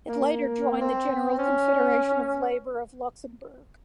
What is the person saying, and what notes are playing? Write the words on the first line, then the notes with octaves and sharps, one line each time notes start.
It later joined the General Confederation of Labour of Luxembourg.
A#3
C4
C#4